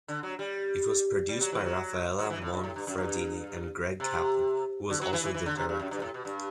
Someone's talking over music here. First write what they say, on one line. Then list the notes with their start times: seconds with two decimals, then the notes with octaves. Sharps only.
It was produced by Rafaela Monfradini and Greg Kaplan, who was also the director.
0.08 D3
0.23 F#3
0.39 G3
1.29 G3
1.41 F#3
1.52 E3
1.64 F#3
2.19 F#3
2.30 E3
2.36 B2
2.42 A2
2.53 G2
2.64 A2
2.76 G2
2.87 F#2
2.98 G2
4.00 C3
4.90 D3
5.01 F#3
5.13 E3
5.24 E3
5.34 E3
5.46 D3
5.57 C3
5.69 G2
5.79 F#2
5.91 G2
6.02 A2
6.14 B2
6.25 G2